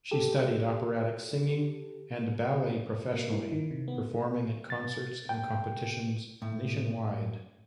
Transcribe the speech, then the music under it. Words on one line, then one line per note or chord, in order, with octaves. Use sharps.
She studied operatic singing and ballet professionally, performing at concerts and competitions nationwide.
G4 A4
A#3
E4
D#3
C3
B3
A6
G5
A2